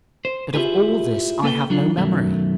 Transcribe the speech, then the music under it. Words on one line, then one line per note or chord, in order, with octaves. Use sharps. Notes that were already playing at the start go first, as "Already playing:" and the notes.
But of all this I have no memory.
C5
E4 F4 G4 G#4 B4
A#3 A4 B4 F5 G5
F#3 D4 F4
F#2 B2 D#3 F#3 A3